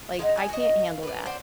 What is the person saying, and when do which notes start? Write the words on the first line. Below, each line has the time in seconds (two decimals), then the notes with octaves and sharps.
like, "I can't handle that."
0.19 G#3 D#4 F5 F#5
0.37 D#4 G#5
0.49 F#4 D#5
0.85 F5
1.03 B4 D5
1.26 C5 D5 F#5